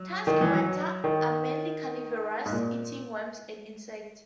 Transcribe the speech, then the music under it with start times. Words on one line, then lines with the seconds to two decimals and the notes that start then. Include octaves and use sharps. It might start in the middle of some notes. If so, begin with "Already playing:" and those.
Tusked weta are mainly carnivorous, eating worms and insects.
Already playing: F#3
0.27 D#3
0.41 E3
0.53 F#3
1.04 D#3
2.46 G#2
2.52 A#2